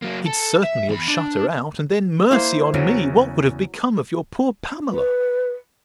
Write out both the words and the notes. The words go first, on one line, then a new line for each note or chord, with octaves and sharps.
He'd certainly have shut her out, and then, mercy on me! what would have become of your poor Pamela?
F#3 A#3
A4
E5
E2 B5
D4
A#3 E4 C5
E2 C#3 F#3
B4